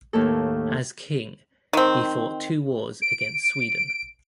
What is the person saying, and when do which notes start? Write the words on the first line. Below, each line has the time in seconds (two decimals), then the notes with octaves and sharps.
As king, he fought two wars against Sweden.
0.13 D#2 A2 A#3 A4
1.73 D#3 C4
3.02 D7